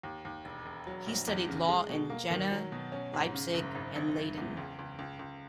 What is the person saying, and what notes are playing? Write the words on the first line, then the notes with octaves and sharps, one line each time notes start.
He studied law in Jena, Leipzig, and Leyden.
D#2
D#2
E1
E1
F#3
A#1
E2
C#3
G#3
B2
A#3
D#3
F#3
B2
C#4
G#2
C#3
F#1
G#1
G#1
F#1
E2
C#2
C#2
C#2
C#2